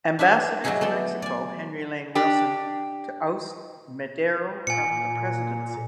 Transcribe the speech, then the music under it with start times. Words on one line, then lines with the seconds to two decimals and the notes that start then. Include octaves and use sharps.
Ambassador to Mexico Henry Lane Wilson to oust Madero from the presidency.
0.19 D4 E4 B4 E5 G#5
0.64 F#3 G3 D#4 E4 G#4 F#5
0.81 A3 B3 A4 D5
1.22 D5 G#5
2.15 D4 G4
4.67 A#2 G#5 C#7